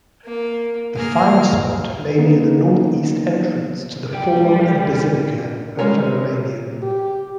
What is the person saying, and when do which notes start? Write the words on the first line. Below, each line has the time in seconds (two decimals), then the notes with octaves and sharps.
The find-spot lay near the north-east entrance to the forum and basilica of Verulamium.
0.25 A#3
0.96 A#3 G#4 F6
2.19 A#3 B3 C#4 D#4
4.13 G3 G5
4.34 E1
5.79 G3 G#3 C#4 A#4
6.82 G4